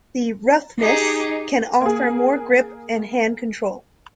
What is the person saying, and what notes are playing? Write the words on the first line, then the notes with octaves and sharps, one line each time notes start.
The roughness can offer more grip and hand control.
D#4 G4 G#4
A#3 G#4